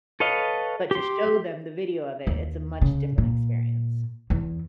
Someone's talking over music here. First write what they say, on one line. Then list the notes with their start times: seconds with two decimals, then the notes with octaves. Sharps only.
but to show them the video of it, it's a much different experience.
0.20 A4 B4 C#5 D#5 F5
0.91 G4 C6
2.27 D#2
2.81 C#3
3.18 A#2
4.30 E2